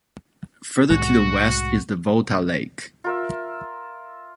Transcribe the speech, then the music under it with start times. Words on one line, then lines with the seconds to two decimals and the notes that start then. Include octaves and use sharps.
Further to the west is the Volta Lake.
0.90 C2 A2 G#3 F#4
3.04 F4 A#4 E5